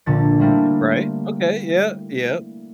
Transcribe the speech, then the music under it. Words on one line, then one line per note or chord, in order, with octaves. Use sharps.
Right. Okay, yep, yep.
A#1 A#2 D3 A6 C#7
G3 A3 A#3 C4 E4